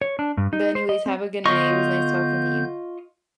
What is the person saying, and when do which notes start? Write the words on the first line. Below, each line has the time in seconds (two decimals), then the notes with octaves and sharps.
But, anyways, have a good night, it was nice talking to you.
0.01 C#5
0.19 D4
0.37 G2
0.53 D#4
0.75 C5
0.89 D#5
1.06 C4
1.45 D3 B3 F4 D#5 C#6 G6